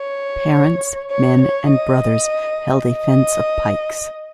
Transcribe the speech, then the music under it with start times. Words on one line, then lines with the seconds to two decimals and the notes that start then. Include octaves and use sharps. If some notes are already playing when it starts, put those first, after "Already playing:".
Parents, men and brothers held a fence of pikes.
Already playing: C#5
1.11 C#5
1.41 C#5
1.71 D#5
2.94 D#5